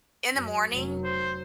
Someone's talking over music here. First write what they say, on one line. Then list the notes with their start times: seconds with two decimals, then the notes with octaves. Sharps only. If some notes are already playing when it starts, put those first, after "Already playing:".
in the morning,
0.31 F#2
0.70 F1 F#3
1.04 C5